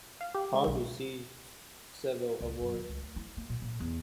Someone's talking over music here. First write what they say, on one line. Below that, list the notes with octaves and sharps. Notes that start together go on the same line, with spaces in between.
Card received several awards.
F5
G4
G#3
B1
C#2
F#2
D#2
C#2
D2
E4
A#3
A#2
A#2
E2